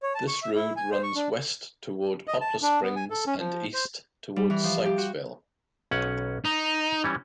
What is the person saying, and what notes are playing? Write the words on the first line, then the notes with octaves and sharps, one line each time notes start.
This road runs west toward Poplar Springs and east toward Sykesville.
C#5
A5
C#6
E5
E4
G#5
C5
C#6
D4
D#5
A5
D4
B3
G#5
A4
C#4
F3
C5
G3
E3
F3
G4
F#4
B1 C#4 F#5
D#4 A#5
E3 G3 C#4